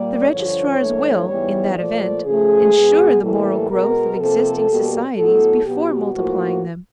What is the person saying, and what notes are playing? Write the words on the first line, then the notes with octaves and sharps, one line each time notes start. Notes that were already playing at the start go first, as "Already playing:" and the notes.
The registrars will, in that event, ensure the moral growth of existing societies before multiplying them.
Already playing: A#2 G3 A#3 D5
G2 D3 F3 C#5
G2 E3 A3
G#2 E3 G3 B3 C#5
A#2 F3 A3 D5
C#3 F3 A3 G#4
B2 G#3 B3
A2 E3 G3 A#3 A4
B2 G#3 B3 A#4
C3 F3 A#3 A4
B2 G3 A#3
A2 F#3 B3 A4
B2 F#3 B3 G4
A2 F3 A#3 F#4